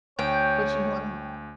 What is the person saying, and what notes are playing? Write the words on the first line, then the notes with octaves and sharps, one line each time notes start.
but you wanna
D2 C#5 G5